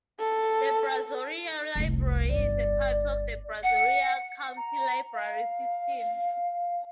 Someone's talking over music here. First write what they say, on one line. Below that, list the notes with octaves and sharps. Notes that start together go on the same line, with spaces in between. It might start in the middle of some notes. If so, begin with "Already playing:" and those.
The Brazoria Library is a part of the Brazoria County Library System.
A4
F1 C2
G1 D5
F#5
A#5
F5